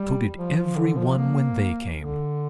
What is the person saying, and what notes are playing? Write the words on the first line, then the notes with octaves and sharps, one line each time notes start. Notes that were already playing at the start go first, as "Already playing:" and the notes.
So did every one when they came.
Already playing: G3
F3
F3
D3
F3
A#3
D3